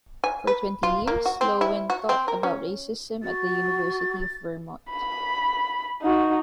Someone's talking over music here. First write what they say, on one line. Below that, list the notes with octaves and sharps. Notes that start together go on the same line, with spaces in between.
For twenty years, Loewen taught about racism at the University of Vermont.
G#5
B4
F4
A#3
F#4
C4
E4
F#4
C4
A#4
C#4
F#4 A6
B5
D#4 F#4